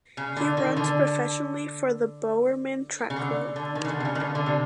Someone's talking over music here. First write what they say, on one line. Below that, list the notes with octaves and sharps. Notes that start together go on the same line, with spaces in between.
He runs professionally for the Bowerman Track Club.
C#3
D3
D#3
D3
C#3
D3
D3
D#3
C#3
D3
C3
C#3
D#3
D3
D3
C3